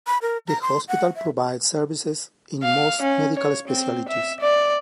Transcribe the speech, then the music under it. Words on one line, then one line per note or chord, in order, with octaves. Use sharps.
The hospital provides services in most medical specialities.
B5
A#4
A#5
C6
F#5
E5
F5
C#4
C#5
C4
E5
D5